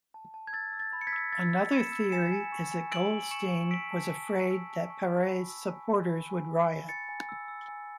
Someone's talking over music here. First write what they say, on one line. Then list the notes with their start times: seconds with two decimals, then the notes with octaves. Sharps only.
Another theory is that Goldstein was afraid that Paret's supporters would riot.
0.14 A5
0.34 A5
0.47 G#6
0.53 E6 A6
0.73 E6
0.80 A6
0.93 B5
1.01 C#7
1.07 G#6 B6
1.13 E6
1.32 E6 A6
1.53 E6
1.73 B5 C#7 E7
1.92 E6
2.12 G#5 C#7 E7
2.32 G#5
2.52 C#6
2.71 G#5
2.91 E6 D7 F#7
3.11 G#5
3.23 F#7
3.31 C#6 C#7 E7
3.51 C#6
3.71 E6 B6 D7
3.91 A5
4.11 E6
4.31 C#6
4.51 E6
4.70 A5
4.90 C#6
5.10 A5
5.30 B5
5.50 E6
5.69 G#5
5.90 G#5
6.10 B5
6.30 G#5
6.49 G#5
6.69 B5
6.89 G#5 A6 C#7
7.09 G#5
7.29 E6
7.48 E6
7.68 G#5